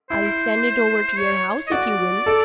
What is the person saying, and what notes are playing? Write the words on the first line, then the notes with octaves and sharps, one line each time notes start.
I'll send it over to your house if you will.'
E4 C5
C#5
D#5
F#4 D5
A4